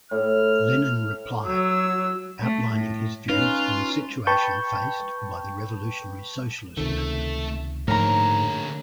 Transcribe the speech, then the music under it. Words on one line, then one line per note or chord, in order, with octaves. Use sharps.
Lenin replied, outlining his views on the situation faced by the revolutionary socialist movement.
A2 F6
F#3 E6
A3
A2
C#4 D#4 F4 B4
B4 G5 A5 B5 C#6 G6
C#2 C3 D#3 A3 A4
G#2 D3 F3 A3 A#3 A#4 C#5 A#5